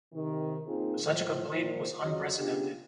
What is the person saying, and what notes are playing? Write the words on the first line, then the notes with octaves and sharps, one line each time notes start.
Such a complaint was unprecedented.
C3 D#3
A#3 C4 D#4 F4 G#4
A2 F3
A#2 D#3 F3
F2 C#3 F#3 D#5
C#3 B3 D4 F4 G4